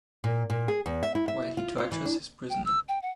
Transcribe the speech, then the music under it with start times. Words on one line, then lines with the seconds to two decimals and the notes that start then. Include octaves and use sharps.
While he tortures his prisoner.
0.24 A#2
0.50 A#2
0.68 G#4
0.86 E2
1.03 E5
1.15 E4
1.28 E5
1.57 F4
1.78 F4
1.92 E3
2.05 D4
2.50 G5
2.65 E6
2.89 G5
3.02 F#5